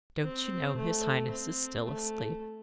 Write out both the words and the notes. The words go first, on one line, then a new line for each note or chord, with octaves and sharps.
Don't you know his highness is still asleep?'
C4
A3
C4
A3